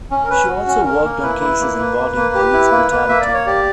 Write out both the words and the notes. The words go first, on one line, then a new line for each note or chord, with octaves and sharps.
She also worked on cases involving police brutality.
C#4
A#4
C#4 B4
F#4
C#4
C#4 A#4
A#3
E4 B4
E4
A#3
A#3
A#3
A#3
G4
E4
A#3
A#3
A#3 E5
D5
A#3
C#5
G4 D5